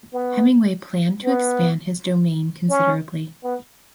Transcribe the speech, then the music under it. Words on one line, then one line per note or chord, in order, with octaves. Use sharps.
Hemingway planned to expand his domain considerably.
B3
B3
C#4
B3